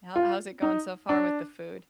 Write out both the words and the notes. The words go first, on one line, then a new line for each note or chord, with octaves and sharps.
How how's it going so far with the food?
F4
D#4
D4